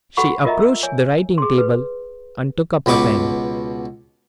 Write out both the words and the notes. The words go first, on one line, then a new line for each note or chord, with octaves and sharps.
She approached the writing table, and took up a pen.
F#4 A4 F#5 B5 C#6
F4 A#4 D#5 E5 A#5
E6
C#5 G#5
G#4 C6
B4
C#2 B2 B4 C#6 D6